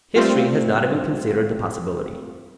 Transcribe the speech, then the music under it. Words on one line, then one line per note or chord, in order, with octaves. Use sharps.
History has not even considered the possibility.
G3 A3 C4 F4